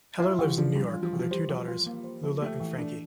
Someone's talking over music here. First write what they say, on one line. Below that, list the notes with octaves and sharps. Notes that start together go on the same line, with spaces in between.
Heller lives in New York with her two daughters, Lula and Frankie.
E4 F4
E3 G3
F3 D4
F3 G3
F4
F3
E3
F3
G3 C5
F3
F4
A#3
C5
F3
A3 G4
E3
D4